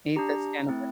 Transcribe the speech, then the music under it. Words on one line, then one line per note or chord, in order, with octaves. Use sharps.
Eat the skin with
D4 G4 A#5
A3 C4 E4